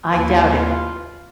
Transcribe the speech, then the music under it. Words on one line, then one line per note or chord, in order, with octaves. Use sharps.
I doubt it.
D#2 E3 F4